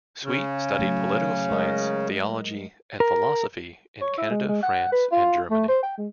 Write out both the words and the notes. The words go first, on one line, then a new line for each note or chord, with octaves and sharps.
Sweet studied political science, theology, and philosophy in Canada, France, and Germany.
C#3
F#3 A3
G#3 A#4 D#5
A#4
C#5
E4
G#3
G#3
F#5
B4
F4
A3
C5
G5
G#3